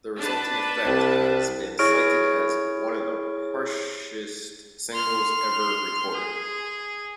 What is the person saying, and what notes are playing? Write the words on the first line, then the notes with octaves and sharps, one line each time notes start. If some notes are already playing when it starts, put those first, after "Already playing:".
The resulting effect has been cited as "one of the harshest singles ever recorded".
D4 B4 A5
C2
E4 G#4 C#5 C#6 F6 D7
C6 F6
G#4